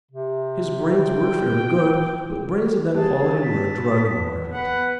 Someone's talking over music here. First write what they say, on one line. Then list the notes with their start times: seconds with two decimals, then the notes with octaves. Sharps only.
His brains were fairly good, but brains of that quality were a drug in the market.
0.11 C3
0.91 G5
2.94 G3 G#4 A5
3.43 B6
4.10 B3
4.53 B4 F#5